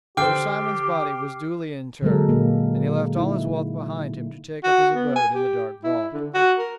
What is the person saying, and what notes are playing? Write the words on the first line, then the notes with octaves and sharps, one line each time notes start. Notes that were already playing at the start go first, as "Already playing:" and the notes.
Sir Simon's body was duly interred, and he left all his wealth behind him to take up his abode in the dark vault.
D3 G4 C5 G5 D6 F6 C7
D3 F#3 G#3 A#3 A4 A#4
A#2 A#3
D#4 E4
F#4
B3
G#5
G4
E4
D3
F#4
A#4